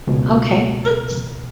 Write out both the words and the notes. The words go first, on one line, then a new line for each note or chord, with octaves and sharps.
Okay, that's
C#2 B2